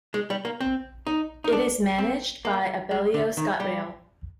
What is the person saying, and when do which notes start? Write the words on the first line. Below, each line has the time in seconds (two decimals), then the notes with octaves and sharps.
It is managed by Abellio ScotRail.
0.14 G#3
0.30 G3
0.45 A#3
0.60 C4
1.07 D#4
1.44 D#4
1.52 D4
1.98 C4
2.45 A#3
2.91 G#3
3.14 D3
3.37 D#3
3.60 G3